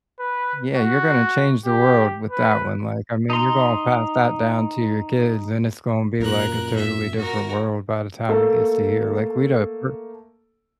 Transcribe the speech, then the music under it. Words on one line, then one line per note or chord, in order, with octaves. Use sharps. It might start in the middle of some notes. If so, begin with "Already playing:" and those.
Yeah, you're gonna change the world with that one. Like, I mean, you're gonna pass that down to your kids, and it's gonna be, like, a totally different world by the time it gets to here. Like we don't a p
B4
F#4
G4
B4
D#4 A#5 C6
F#2 A#2 A#4 F#6
E5
F#4 A#4
A3 A#3 A4